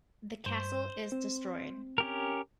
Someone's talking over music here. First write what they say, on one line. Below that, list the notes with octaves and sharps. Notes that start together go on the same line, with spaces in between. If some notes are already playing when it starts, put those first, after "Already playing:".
The castle is destroyed.
G2 C5
C4
C#4 G4 A#4